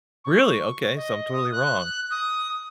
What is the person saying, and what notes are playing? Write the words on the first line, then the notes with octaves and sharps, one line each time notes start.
Really? Okay, so I'm totally wrong.
C#6
D#5
D#6
F#6
D#6